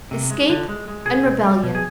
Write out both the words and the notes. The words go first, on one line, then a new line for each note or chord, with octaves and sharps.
Escape and rebellion.
C3
G#3
D3
G#3
G#3
B2 G#4
B2
G3
B2
G#4